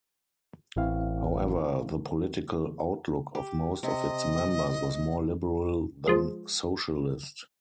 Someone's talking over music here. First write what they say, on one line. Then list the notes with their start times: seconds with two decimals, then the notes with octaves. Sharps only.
However, the political outlook of most of its members was more liberal than socialist.
0.76 A1 C4 E4 F5
3.35 G4
3.83 C3 D#5
6.08 F3 G#3